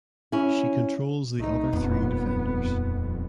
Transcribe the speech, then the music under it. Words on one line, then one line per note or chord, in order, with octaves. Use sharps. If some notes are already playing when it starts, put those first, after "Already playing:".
She controls the other three defenders.
C#4 E4
C2 A3 D#4
D#1 F2 B3 C4